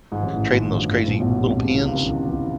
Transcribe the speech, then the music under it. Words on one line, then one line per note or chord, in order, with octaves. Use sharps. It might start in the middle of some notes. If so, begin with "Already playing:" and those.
trading those crazy little pins.
G#1 G#2
A1 A2
A1 A2
G#1 G#2
G1 G2
A1 A2
A#1 A#2
B1 B2
C2 C3
C#2 C#3
C2 C3
C#2 C#3
D#2 D#3
E2 E3
E2 E3